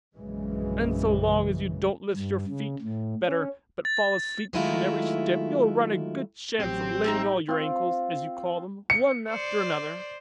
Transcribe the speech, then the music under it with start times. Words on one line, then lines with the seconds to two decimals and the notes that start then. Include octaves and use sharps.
And so long as you don't lift your feet better, but fall asleep between every step, you'll run a good chance of laming all your ankles as you call them, one after another.
0.15 A#1 F#2 C#3 E3 G#3
2.14 G2
2.47 C#3
2.81 A2
3.26 C#4
3.85 A6
4.53 D#3 F#3 G#3 A3 E4 F4
6.60 A1 F#3 C4 G4
7.04 D#4 F4 E5
7.49 C4 F4
8.90 C#7
9.30 C5 D5